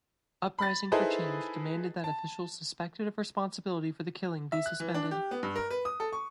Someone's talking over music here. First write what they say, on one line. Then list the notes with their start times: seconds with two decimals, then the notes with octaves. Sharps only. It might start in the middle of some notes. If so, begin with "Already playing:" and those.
Uprising for Change demanded that officials suspected of responsibility for the killing be suspended.
0.59 B5 A6
0.92 D#4 E4 G#4 A4 B4 C5
2.04 A5
4.52 E5
4.66 F#6
4.80 E3
4.94 D4
5.11 G4
5.31 B3
5.43 G2
5.56 A#4
5.71 B4
5.85 D#6
6.00 A4
6.13 C#6